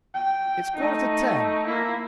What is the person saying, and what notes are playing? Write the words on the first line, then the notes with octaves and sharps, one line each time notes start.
"It's quarter to ten."
G5
A3 D#4
A#3 E4